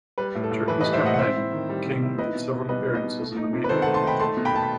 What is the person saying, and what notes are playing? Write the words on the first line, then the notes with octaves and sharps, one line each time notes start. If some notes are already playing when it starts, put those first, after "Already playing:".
During his campaign, King made several appearances in the media.
G3 B4
A2
A4
A2
E3 B4
B4 D#5
G3
C5 E5
A2 D#5 F#5
F#5
C4 C5 E5
E4
D#3
G3
C4
E4
D#4 B4 D#5
B2
B2
G3 B4 D#5
D#4
B4 D#5
B2
A3
D#4
C3
B4
D#3 A4 C5
F#5 A5
A3
A5 C6
D#4 G5 B5
A3 A5 C6
B2
G5 B5
B2 A5
B5